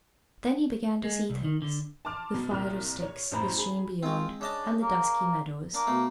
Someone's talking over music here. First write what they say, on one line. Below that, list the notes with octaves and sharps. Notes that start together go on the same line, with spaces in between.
Then he began to see things--the fire of sticks, the stream beyond, and the dusky meadows.
G#3
C2
D#3
D3
A5 C6 D6 F6
B2
C2 A#2 F6
C#5
A1 F#2 A2 C5 A#5 B5
G#4 B5
G#3 C4 F4
C#3 D4 D#5 A5
A#3
A#3 D4
B2 A3